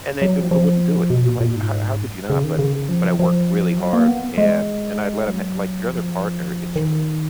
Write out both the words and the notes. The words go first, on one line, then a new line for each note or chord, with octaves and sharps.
and they d wouldn't do it. I'm like, "How how could you not?" But but I worked really hard, and and I'd let 'em like, "Your other partner is just
F#3
F3
F3
B2
A#2
A#2
G#2
C#3
D#3
C#3
F3
F3
F#3
A#3
B3
G#3
F#3
F3
D#3